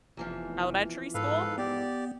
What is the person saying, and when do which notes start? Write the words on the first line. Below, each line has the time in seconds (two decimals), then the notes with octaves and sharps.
elementary school,
0.17 F1 E2 E3 F3
1.14 G#2 A4 B4 F5
1.58 B3 G4 D5